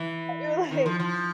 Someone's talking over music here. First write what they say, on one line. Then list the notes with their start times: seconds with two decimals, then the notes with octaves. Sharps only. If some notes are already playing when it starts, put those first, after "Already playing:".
you're like
Already playing: E3
0.71 D#3
0.86 F3
1.00 F3